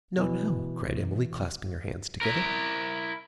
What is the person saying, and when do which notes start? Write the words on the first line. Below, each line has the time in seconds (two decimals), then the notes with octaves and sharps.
'No! no!' cried Emily, clasping her hands together.
0.18 B2 E3
2.21 E4 A#4